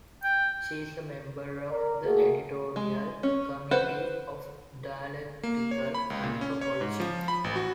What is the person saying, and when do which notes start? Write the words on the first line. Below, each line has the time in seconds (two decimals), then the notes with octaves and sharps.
She is a member of the editorial committee of "Dialectical Anthropology".
0.23 G5
1.70 A#4 D5
2.03 A3 A#3 F#4 G#4
2.76 G#3
3.23 C#4
3.71 B4 C5 F#5
5.43 A#3
5.71 C#5
5.94 B5
6.10 C#2
6.23 A#2
6.41 C#4
6.61 C#5
6.81 G#2
7.00 F3
7.28 B5
7.44 A1
7.56 F#4